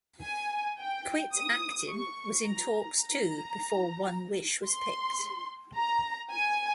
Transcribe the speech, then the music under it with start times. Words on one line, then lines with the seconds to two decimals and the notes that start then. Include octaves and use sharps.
"Quit Actin" was in talks, too, before "One Wish" was picked.
0.23 G#5
0.79 G5
1.35 D#6
1.89 C#6
2.45 A#5
3.00 A#5
4.66 C6
5.76 A#5
6.32 G#5